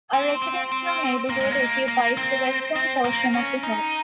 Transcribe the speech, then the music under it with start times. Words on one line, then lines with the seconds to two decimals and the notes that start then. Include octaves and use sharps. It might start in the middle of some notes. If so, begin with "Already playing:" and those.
A residential neighborhood occupies the western portion of the top.
0.13 C4
0.42 C4
0.72 C4
1.30 A#3
1.40 G#3
1.52 A#3
1.88 A#3
2.17 C4
2.76 C4
3.05 A#3
3.34 C#4
3.63 D#4